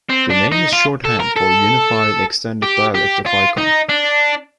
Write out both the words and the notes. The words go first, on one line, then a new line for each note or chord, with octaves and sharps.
The name is shorthand for Unified Extended Dialect of Icon.
C4
D4
D#4
F4
A4
A#4
A4
G4
G4
F4
D#4
D4